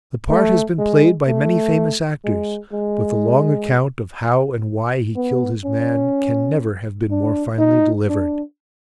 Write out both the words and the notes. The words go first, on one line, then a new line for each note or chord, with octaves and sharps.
The part has been played by many famous actors, but the long account of how and why he killed his man can never have been more finely delivered.
A3
G#3
A3
G#3
G#3
B3
C#4
D4
D#4
D4